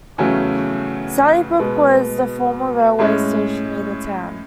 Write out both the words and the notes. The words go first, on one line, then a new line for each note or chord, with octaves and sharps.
Sallybrook was the former railway station near the town.
E2 C#3 F#3 A3 C#4
B2 G#3 B3
A2 G#3 C#4